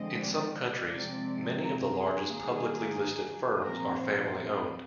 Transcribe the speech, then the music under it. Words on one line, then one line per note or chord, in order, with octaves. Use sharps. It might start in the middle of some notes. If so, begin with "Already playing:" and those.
In some countries, many of the largest publicly listed firms are family-owned.
Already playing: D3 F3 G#3 C4 D#5
D5
C3 F3 G#3 C4
A#4
G#4
D#3 G3 A#3
A#2 F3 C4 A#4
C5